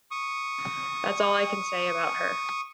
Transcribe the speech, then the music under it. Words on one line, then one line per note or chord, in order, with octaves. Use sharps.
That's all I can say about her.
C#6 D#6